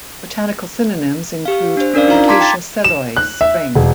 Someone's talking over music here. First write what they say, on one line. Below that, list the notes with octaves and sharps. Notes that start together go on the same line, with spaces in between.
Botanical synonyms include "Acacia selloi" Spreng.
G4 F5
D4 C5
C#4 D4 A#4 D5 F5
D#4 F4 F5 A#5
A5 A#5 C6 D6 G#6 B6
G5 A6
E7
F#6
E5
E1